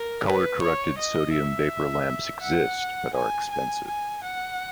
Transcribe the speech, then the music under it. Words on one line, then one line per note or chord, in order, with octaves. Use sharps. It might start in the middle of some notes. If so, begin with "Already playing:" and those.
Color-corrected sodium vapor lamps exist but are expensive.
Already playing: A#4
B4
C#5
D#5
E5
F#5
G#5
G#5
G#5
F#5